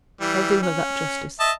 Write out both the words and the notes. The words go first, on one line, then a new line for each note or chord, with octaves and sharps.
I'll do her that justice.
E3 G3
C#4
D#5 E5 A5